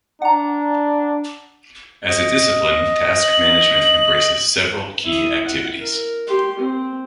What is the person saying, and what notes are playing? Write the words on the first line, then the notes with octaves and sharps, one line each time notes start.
As a discipline, task management embraces several key activities.
D4 F#5 A#5
D#5
F#7
E4 D#6
F#5
A#4
G4 C6
C4